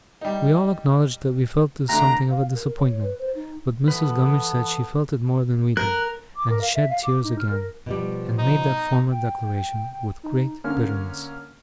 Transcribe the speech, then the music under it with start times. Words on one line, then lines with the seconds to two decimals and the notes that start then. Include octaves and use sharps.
We all acknowledged that we felt this something of a disappointment; but Mrs. Gummidge said she felt it more than we did, and shed tears again, and made that former declaration with great bitterness.
0.21 G3 D#4
1.89 D2 D3 A#5
2.30 F5
2.55 A#4
2.78 C#5
3.03 B4
3.19 C5
3.35 D#4
3.88 E3 B3 A4 B4
5.77 A#4 F#6
6.36 D6
6.50 A#4
6.61 F5
6.74 E5
6.90 F5
7.04 D6
7.24 D#4
7.39 F6
7.51 A#4
7.86 B2 F3 G3
8.38 D#4
9.11 G5
9.46 G5
10.23 D#4
10.64 D3 A#3 C#4 F6